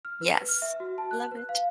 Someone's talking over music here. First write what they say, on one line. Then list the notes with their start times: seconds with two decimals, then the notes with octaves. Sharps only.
yes, love it.
0.05 F6
0.21 B4
0.49 F6
0.62 E5
0.80 F#4
0.98 A5
1.11 F#6
1.32 B4
1.49 F5